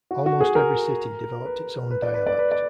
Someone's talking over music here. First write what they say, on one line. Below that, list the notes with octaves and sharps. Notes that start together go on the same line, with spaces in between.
Almost every city developed its own dialect.
F#4
F#4
G#4
A#4
B4
B4
D5
B4
D5
B4
D5